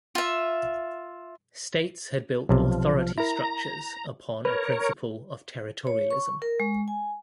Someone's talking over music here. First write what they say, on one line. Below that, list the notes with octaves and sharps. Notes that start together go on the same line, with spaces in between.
States had built authority structures upon a principle of territorialism.
F4 E5
B1 C3 F3
E4 A#4 A#5
A#4 B4 C#5
C#5
C#6
A#4
G#3
G#5